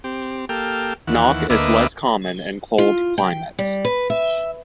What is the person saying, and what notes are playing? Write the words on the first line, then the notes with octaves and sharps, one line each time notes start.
Knock is less common in cold climates.
C4 G4
A#3 G4 A4 G5 F6
D#2 E3 F#5
D2 A#3 B4 D#5 E5 D6
F4
G5
G3
B4
E5